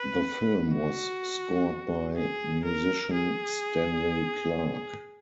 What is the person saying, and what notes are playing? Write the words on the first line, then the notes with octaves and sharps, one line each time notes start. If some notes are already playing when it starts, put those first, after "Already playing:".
The film was scored by musician Stanley Clarke.
Already playing: B4
F#4
G#4
A#4
G#4